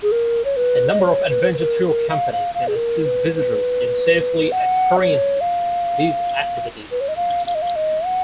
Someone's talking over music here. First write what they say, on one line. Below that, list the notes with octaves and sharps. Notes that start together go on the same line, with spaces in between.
A number of adventure tour companies can assist visitors in safely experiencing these activities.
G#4
A#4
C#5
B4
D#5
C#5
B4
B4
A#4
A#4
F5
F5
F5
G#4
A#4
B4
B4
F#5
C#5
F5
B4
C#5
D#5
F5
F5
D#5
F5
D#5
F#5